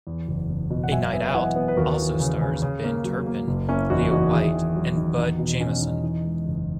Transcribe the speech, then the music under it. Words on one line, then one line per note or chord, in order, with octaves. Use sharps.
"A Night Out" also stars Ben Turpin, Leo White and Bud Jamison.
E2
F#1
F#1
B2
F#5
F#2 E5 G#5
B3 E5 G#5
G#5
E3 D#5 F#5
B3
B4
D#2 F#4 A#4
E3
C#3
C#3
C#3
A#3
F#3
A#3
F#1
A#3 C#4 E4
E2 D#4 F#4
E2 D#4 F#4
D#3 E4 G#4
D#3
F#3
D#3
E2 D#4 F#4
B2 D#4
B2 C#4
C#4
E2 D#4
E3 D#4
G#3
F#1